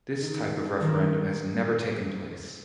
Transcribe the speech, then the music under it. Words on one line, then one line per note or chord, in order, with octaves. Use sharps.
This type of referendum has never taken place.
D#3
D#3